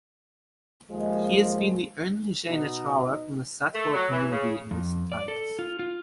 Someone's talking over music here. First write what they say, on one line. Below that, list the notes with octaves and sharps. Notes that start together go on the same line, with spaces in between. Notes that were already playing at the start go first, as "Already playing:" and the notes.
He has been the only Jain acharya from the Saitwal community in recent times.
D#2 F3 G#3
B2 D#4
A3
F#3
E3
C#3
F2
D5
A4
F4
F4